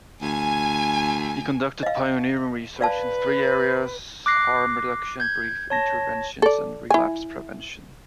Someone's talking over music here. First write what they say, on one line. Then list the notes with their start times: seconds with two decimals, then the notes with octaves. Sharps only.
He conducted pioneering research in three areas: harm reduction, brief interventions, and relapse prevention.
0.22 D2 G#5
1.83 D#5 F5
2.81 B4 D5 F5 A5
4.26 D6 F#6 A#6 C7
5.20 G6 G#6
5.70 C#5 A5 A#6
6.42 A4 D5
6.91 E4 G#5